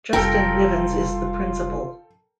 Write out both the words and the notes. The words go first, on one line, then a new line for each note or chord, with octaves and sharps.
Justin Nivens is the Principal.
F1 G3 F4 A4 A#4 G5